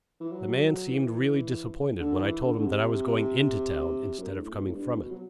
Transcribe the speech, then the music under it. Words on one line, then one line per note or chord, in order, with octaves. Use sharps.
The man seemed really disappointed when I told him that I was going into town, instead of coming from it.
E3
F#3
F#3
E3
D3
D3
E3
D3
D3
C3
F#2
G2
A2
B2
A2
G2
B2
F#3